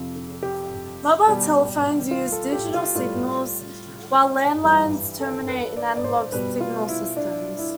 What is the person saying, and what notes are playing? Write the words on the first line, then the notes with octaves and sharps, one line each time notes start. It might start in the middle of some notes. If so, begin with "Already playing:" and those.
Mobile telephones use digital signals, while land lines terminate in analog signal systems.
Already playing: F2 C3 F3
G4
B2 G3
F4
A4
G4
F4
A2 G3 F4
G2 E3 G3 E4
A4
B4
D5
D5
C5
B2 G3 B4
F4
E4
D4
E4